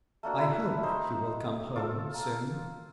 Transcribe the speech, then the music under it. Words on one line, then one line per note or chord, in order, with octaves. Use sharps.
I hope you will come home soon.
A3 A#3 D4 F#4
E4 E5
D#4 C5 E5
F4 A4 E6
A#3